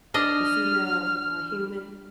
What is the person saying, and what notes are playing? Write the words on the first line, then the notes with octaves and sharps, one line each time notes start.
the female, uh, human.
D4 D#5 F6